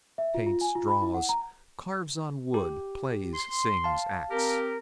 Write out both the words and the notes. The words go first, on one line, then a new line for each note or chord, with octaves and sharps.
"Paints, draws, carves on wood, plays, sings, acts."
E5
F4
F4
G#5
F4
B5
E4
F#5
A#5
G4
C6
F5 A5
C4 G4 A#4